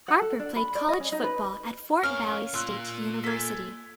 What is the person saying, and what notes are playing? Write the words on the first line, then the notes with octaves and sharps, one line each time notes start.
Harper played college football at Fort Valley State University.
F#5
A4
D4
B5
D5
D#5
C#4
D#4
B4
C#4 A#4 C#5 F5 F6
A#3 F4 C6 E6 F#6
A4 G#5 G#6 B6